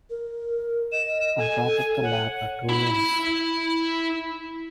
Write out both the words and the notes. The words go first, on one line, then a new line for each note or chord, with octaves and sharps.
On top of the lap are two rings.
A#4
D#5 E7
A4 G#5
C#5 F#5
E4 B5